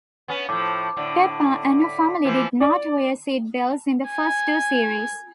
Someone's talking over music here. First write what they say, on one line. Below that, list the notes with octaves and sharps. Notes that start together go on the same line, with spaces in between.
Peppa and her family did not wear seat belts in the first two series.
B3 C#4
A2 F3 A5 D6
A2 D3
B6
E3 F3 C4
D5
G#5